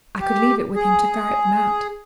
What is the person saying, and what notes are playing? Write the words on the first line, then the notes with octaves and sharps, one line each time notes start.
I could leave it with him to ferret them out.
G4
G#4